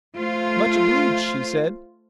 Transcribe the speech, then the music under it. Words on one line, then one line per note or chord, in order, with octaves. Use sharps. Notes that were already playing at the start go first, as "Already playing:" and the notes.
"Much obleeged," she said.
A3 F4 C5